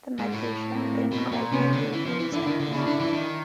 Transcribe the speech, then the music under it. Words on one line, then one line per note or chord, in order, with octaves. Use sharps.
The magician then gradually reveals the bend.
G#2
A2
A#3 C4
B2
A#2
C3 B3 C#4
D3
E3
F3
E3
D3 D4 E4
D#3
D3
C#3 D4 E4
D3
E3
D#3